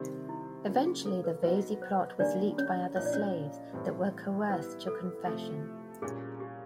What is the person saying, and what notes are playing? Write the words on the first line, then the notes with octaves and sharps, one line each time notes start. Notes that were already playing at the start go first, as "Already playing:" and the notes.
Eventually, the Vesey plot was leaked by other slaves that were coerced to confession.
Already playing: C3 D#3 G3 C4
E4
C#3 F#3 A#3 C#4 F4
G#4
A4
B4
F#3 B3 D#4 F#4 B4
C5
D#3 G3 A#3 D4 D5
C#4 C#5
A#2 F3 A#3 D#4 C#5
D5
C#4 C#5
A2 E3 G3 C4
G3 B3 E4 C5
A4
C3 F3 A3 A4
A#2 G3 A#3 C#4 G#4
G4